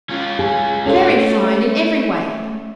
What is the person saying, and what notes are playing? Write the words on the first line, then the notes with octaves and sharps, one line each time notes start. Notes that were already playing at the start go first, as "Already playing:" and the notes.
'Very fine in every way.
C#4 F4
G#4
A2 C#4 A4 C5 F5
A3